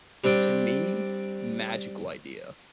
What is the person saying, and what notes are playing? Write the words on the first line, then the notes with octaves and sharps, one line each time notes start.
to me, magical idea,
G3 C4 D4 G5